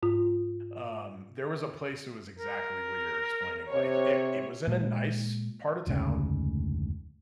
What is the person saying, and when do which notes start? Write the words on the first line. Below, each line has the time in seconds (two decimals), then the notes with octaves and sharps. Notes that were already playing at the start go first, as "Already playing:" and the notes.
um, there was a place that was exactly where you're explaining, like, it it was in a nice part of town,
0.03 G#2 F4
2.39 A#4
3.73 C3 C#5
4.67 A#2 G#3
5.87 F1 D2 G#2 C#3